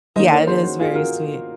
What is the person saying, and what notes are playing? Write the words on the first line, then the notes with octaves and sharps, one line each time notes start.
Yeah, it is very sweet.
D#3 A#3 D#4 C5 D#5
A#4 C#5
G#4 C5
F#4
F4 G#4
F#4 A#4